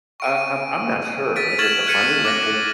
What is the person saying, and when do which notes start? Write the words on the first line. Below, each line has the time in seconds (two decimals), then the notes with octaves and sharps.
Uh, I'm I'm not sure. Is it the funding that they
0.20 C#6 D7 D#7
1.36 A6 B6 D7 D#7
1.59 C#6 F6 G#6 A6 E7 F#7
1.87 F6 F#6 G#6 B6 C#7 D#7
2.25 D6 F#6 A#6